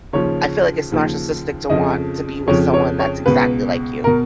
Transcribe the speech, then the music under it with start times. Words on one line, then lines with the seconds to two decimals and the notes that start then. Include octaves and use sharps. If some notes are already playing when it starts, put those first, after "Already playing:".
I feel, like, it's narcissistic to want to be with someone that's exactly like you.
0.13 D#2 C#3 F3 C#5
0.91 D#2 C#3 F3
1.69 F2 C#3 F3 D#5
2.48 F2 C#3 F3 C#5
2.74 C#5
2.99 C#5
3.26 C#2 B2 B4
4.04 B2 A#4